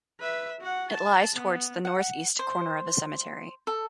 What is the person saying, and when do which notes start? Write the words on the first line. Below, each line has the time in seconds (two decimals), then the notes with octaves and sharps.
It lies towards the north-east corner of the cemetery.
0.20 B4 E5
0.61 F#4 F#5
0.91 A5
1.34 B3
1.85 F#5
2.39 C5
3.67 A4